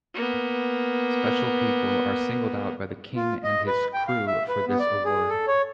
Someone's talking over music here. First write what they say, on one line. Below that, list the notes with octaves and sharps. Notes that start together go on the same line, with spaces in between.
Special people are singled out by the king and his "Krewe" for this award.
A#3 B3
F4
D#5
B4
G5
F5
E5
B4
B3
D5
G#4
A4
C#5